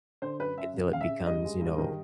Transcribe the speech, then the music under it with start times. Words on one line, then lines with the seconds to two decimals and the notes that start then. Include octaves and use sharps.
until it becomes, you know,
0.22 D3 C5
0.39 F#2 B4
0.57 F#2 E5
0.74 C#3
0.91 C#3 F5
1.01 E5
1.09 C#3
1.27 G2 D#5
1.44 G#3
1.61 G2
1.78 D#3